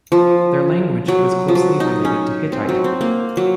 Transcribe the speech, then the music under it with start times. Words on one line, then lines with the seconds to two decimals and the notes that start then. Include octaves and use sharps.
Their language was closely related to Hittite.
0.12 F3
1.08 F#3
1.48 F3
1.55 F#3
1.80 D#4
2.05 C#4
2.52 C4
2.69 F#3
2.84 C4
3.01 A#3
3.37 F#3